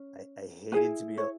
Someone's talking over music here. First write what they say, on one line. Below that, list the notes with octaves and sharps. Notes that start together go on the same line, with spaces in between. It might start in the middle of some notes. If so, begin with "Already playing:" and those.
I I hated to be a
Already playing: C#4
E4 G#4 B4 G#5
C#5